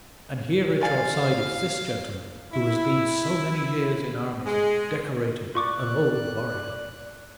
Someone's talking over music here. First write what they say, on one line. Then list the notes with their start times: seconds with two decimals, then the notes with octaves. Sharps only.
And here, at your side, is this gentleman, who has been so many years in armies--decorated, an old warrior.
0.81 D5 F5 G#5
2.53 E4
4.46 G#3
5.55 F4 D5 C#6 D6 F#6